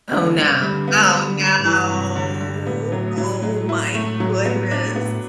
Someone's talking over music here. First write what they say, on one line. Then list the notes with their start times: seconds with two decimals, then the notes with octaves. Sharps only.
Oh no oh no. Oh my goodness.
0.12 D3 B3
0.37 G2
0.52 C3
0.62 D3 G3
0.88 B3
1.13 G3
1.39 G3
1.59 A2
1.64 G2 E3
1.90 C3
2.16 D3
2.40 D3
2.66 A2 B3
2.92 F#3
3.18 A2 F#3
3.43 F#3
3.69 E4
3.95 A3
4.20 F#3
4.45 B3
4.71 D4
4.96 B3